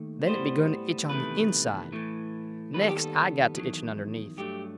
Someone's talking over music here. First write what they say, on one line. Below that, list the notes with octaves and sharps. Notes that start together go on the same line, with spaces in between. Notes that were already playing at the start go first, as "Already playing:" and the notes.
Then it begun to itch on the inside. Next I got to itching underneath.
Already playing: D#2 D#3 A3
A2 G3 B3 C5
E2 C3 D#3 A3 B4
A2 E3 A3
D#2 D#3 G3 B3 B4
A4
G4
A4
E2 D#3 F#3
G2 F#3 A3 G4